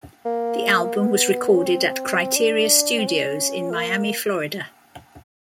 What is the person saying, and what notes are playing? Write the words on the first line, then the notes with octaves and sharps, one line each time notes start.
The album was recorded at Criteria Studios in Miami, Florida.
A#3
A#3
B3
C#4
C4
D4
C4
C#4
A3
A#3